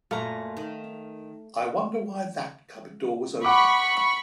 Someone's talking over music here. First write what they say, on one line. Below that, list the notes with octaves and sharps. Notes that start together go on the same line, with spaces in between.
I wonder why that cupboard door was open?
F#2 A#2 A3 F5 A#5
D#3
F#5 B5 C#6 D6